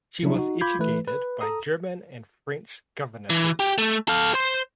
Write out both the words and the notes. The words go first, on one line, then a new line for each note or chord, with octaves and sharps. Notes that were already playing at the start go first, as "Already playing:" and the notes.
She was educated by German and French governesses.
C#3 F3 F#3 D4 E4
D#4 F#4
F4 B5 D6 G6 G#6
E3 A3 B4
B4
A4 A#5 D#6
E3
G4
A3
A4 F5
C5 C6